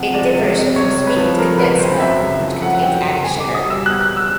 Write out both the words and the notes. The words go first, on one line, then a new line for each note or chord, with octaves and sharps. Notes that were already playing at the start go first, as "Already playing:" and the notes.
It differs from sweetened condensed milk, which contains added sugar.
Already playing: C#2 C3 F3 F#5
G#3 D5
C#2
C3
C#2 C#5
C3
B4
F3
A3 A#4
C#2 B4
C3 C5
F#2 E5
C#3
F3
A3 F#5
F#5
F#2 G5
C#3
E2 G#5
D6
B2
D#6
G3
E6
B3 F#6
F#6
E2
E6